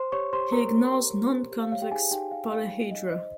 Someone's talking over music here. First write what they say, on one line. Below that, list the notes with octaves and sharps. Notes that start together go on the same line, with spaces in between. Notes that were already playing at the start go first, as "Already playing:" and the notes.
He ignores nonconvex polyhedra.
Already playing: C5 C6
G4 C#5 C#6
G4 C5 C6
A#4 C5 A#5
C5
G4
G4
C5
G4
F5
C#5 F5
G4 G5
D#4 G#4 G#5
D#4 G4 G5
G4 F5
C#5 F5
D#4
D#4 D#5
C5 D#5